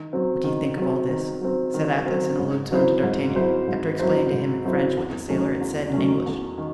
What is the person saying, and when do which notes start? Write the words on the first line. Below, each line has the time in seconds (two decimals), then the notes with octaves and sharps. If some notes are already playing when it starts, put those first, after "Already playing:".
"What do you think of all this?" said Athos, in a low tone to D'Artagnan, after explaining to him in French what the sailor had said in English.
Already playing: D#3
0.13 F#3 C4
0.44 D#3
0.77 F#3 C4
1.09 D#3
1.41 F#3 C4
1.74 D#3
2.06 F#3 C4
2.39 G#2
2.71 F#3 C4 E4 C5
3.02 G#2
3.35 F#3 C4 E4 C5
3.67 G#2
3.99 F#3 C4 E4 C5
4.32 G#2
4.65 F#3 C4 E4 C5
4.97 E2
5.28 D#3 F#3 A3 C#4
5.61 E2
5.93 D#3 F#3 A3 C#4
6.26 E2
6.58 D#3